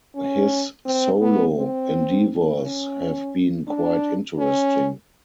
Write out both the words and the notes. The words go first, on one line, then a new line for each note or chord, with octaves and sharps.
His solo endeavors have been quite interesting.
C#4
C4
B3
C4
C#4
D4
C#4